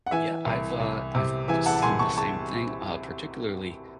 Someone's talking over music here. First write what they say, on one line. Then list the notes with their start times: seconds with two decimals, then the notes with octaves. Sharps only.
Yeah, I've, uh I've seen the same thing, uh, particularly
0.06 F#5
0.11 E3 E5 G#5
0.46 C2
0.80 C2
1.15 C3
1.48 E3 E5 G#5
1.66 F#5 A5
1.76 A5
1.82 C2 G#5 C6
1.99 A5 C#6
2.17 A5 C#6